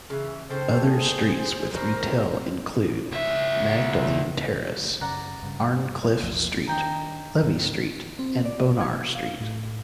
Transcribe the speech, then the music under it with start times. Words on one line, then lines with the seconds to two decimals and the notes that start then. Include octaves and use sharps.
Other streets with retail include Magdalene Terrace, Arncliffe Street, Levey Street and Bonar Street.
0.10 C#3 E3
0.50 C#3 A4 C5 G5
0.90 G#4 C5
1.74 B2 G3 A#4 C5
2.20 C4
3.12 C#2 E5
5.01 F#2 C#3 D5 F#5 A#5
5.43 G2 C#3
6.22 A#1 E2 F3
6.67 D#3 D4 D#4 G5 A#5
7.43 D2 G#2 D3
8.19 C4
8.45 D5
8.81 G#6
9.15 F5
9.40 A2